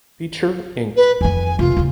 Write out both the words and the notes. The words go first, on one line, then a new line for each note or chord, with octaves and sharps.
Feature Inc.
B4
F2 D#3 G#5
F1 A3 F4
D#2 C#3